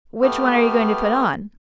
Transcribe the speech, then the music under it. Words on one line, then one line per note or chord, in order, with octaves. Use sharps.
"Which one are you going to put on?"
A3 B3 G4 F6